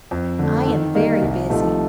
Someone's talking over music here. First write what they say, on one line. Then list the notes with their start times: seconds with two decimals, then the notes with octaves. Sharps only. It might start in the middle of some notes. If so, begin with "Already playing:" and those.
I am very busy.'
0.11 F2
0.39 D3 A3
0.67 D#3
0.95 G3 A#3 D#4
1.22 C2
1.50 C3 F3 A3 D#4